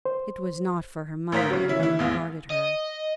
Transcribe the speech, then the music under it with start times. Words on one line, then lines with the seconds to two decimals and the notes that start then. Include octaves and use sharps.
It was not for her money that he had regarded her.
0.05 C5
1.32 A1 A#4 C5 F5 B6
1.50 C#3 F#3
1.68 C#4 E4
1.79 E3 E4
1.99 A1 E2 F5
2.50 D#5